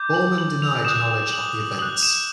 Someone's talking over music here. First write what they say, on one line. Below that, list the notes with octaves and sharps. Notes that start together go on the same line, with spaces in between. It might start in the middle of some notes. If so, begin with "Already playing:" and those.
Bormann denied knowledge of the events.
Already playing: D6 G6
F#7
F#7
F7
D#6 F#6 E7
F7
E7
F#7
D#6 F#6 F#7
E7